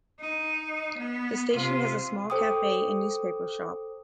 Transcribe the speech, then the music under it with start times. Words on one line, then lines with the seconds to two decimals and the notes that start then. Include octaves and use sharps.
The station has a small cafe and newspaper shop.
0.20 D#4
0.98 B3
1.54 C3 F4
2.30 A4 C5 G5 D6 D#6